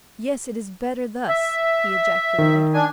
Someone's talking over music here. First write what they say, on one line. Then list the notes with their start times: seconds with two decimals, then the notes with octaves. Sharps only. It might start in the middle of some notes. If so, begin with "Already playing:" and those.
"Yes, it is better thus," he ejaculated.
1.28 E5
2.38 D#3
2.74 D4 G#5